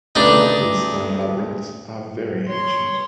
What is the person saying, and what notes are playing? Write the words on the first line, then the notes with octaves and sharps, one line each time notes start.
Some of these stone labyrinths are very ancient.
D2 C#3 D4 D#4 B4
C#5 C6